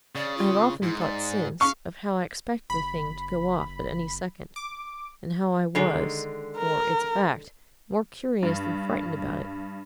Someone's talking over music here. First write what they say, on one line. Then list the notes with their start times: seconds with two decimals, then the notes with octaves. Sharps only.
I have often thought since of how I expected the thing to go off at any second, and how I was--for it's a fact--more curious than frightened about it.
0.15 C#3 D5
0.37 F4
0.82 G#2 E4
1.00 D5
1.61 C#4 F5 C#6
2.70 F#1 B5
4.56 D6
5.75 D3 D#3 G#3
6.57 A#4
8.43 G2